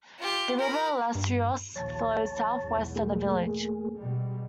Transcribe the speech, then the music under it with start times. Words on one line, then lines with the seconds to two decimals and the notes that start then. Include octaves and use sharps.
The river Larissos flows southwest of the village.
0.19 F4 G4
0.59 A#4 B5
1.15 G2
1.76 A#1 D#2 F3 C#5 A5
2.58 B1 E2 G#2
2.96 A3 A#3 G#4
3.95 B2 G3 G#3